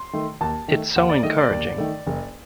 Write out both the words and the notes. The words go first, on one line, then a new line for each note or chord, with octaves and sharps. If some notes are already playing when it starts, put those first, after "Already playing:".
It’s so encouraging.
Already playing: C6
D#3 A3
D#2 A5
D#3 A3
D#2 F#5
D5
D#3 A3 D#5
D5
D#2
D#3 A3
F#1